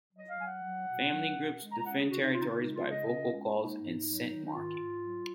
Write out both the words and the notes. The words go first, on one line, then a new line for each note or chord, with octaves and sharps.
Family groups defend territories by vocal calls and scent marking.
F#3 D#5
F5
F#3 G#5
F#5
F#3
B2
F#3
B2
G#3
A#5
C#4 F#5
G#4
C#3 F#4
D#4
C#3 F4
D#4
F4
G#3 D#4
F4
C#3
D#5
C#4 D#5
G#3
A#3 D#4
G#2
F#3
D#3
D#4
G#2 F4
G#2
F#3